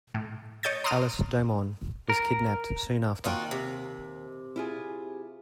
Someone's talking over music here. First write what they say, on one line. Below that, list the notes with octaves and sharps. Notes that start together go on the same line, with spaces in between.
Alice Domon was kidnapped soon after.
A2
C#5 D#5 D#6 G6 A6
A#5 C6 D6 D#6 F6 D#7
A#4
D#2 D#4 F4 F#4 G5
C3
E4 F4 G#4